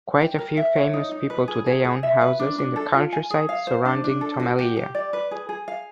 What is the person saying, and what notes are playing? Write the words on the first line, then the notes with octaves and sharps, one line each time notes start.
Quite a few famous people today own houses in the countryside surrounding Tomelilla.
G5
A#4
E5
C#5
D#4
D#4
B4
G#4
G#4
G#4
E5
B4
D4
D4
A4
F4
G#5
G#4
F5
C5
D4
D4
A4
F#4
G4
G4
D5
B4
G#4
G#4
F5